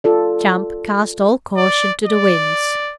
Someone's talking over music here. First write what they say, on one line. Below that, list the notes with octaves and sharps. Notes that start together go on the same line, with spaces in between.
Champ cast all caution to the winds.
F4 A4 D5
D5
D5